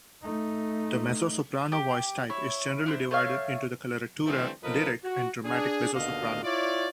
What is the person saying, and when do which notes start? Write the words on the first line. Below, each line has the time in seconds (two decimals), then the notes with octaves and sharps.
The mezzo-soprano voice type is generally divided into the coloratura, lyric, and dramatic mezzo-soprano.
0.22 A3 D#4
1.72 G4
2.30 E4 C#5
2.86 D4 E4 C5
3.11 A3 C#5 F5
4.26 D3 E3 G3 A3 C4
4.63 B1 F3 A#4 B4 D#5
5.03 F#4
5.45 D4 G#4
5.94 D#2 B2 D3 D#5 F5
6.43 E4 F4 C#5 D5